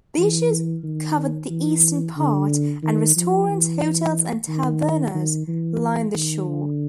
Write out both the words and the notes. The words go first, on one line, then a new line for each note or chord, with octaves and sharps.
Beaches cover the eastern part and restaurants, hotels, and tavernas line the shore.
E3
D#3
E3
D3
D#3
F3
E3
D#3
D#3
E3
D#3
D3